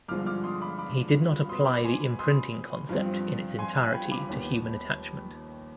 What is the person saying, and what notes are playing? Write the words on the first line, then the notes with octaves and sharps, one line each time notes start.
He did not apply the imprinting concept in its entirety to human attachment.
G2 D3 F3 G#3 D6 F6
D6 F6
C6 D#6
B5 D6
B5 D6
B2 B3 C6 D#6
B5 D6
G#5 C6
C6 D#6
G2 F3 C4
G#5 C6
F5 G#5
G5 B5
B5 D6
D#2 D#3 B3